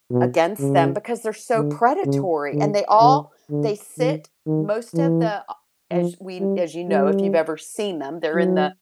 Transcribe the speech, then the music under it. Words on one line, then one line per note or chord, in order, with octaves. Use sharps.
against them because they're so predatory. And they all they sit most of the, uh, as we as you know, if you've ever seen them, they're in the
B2
C#3
D3
C#3
D3
D3
D3
D#3
D#3
E3
F3
G3
G3
F#3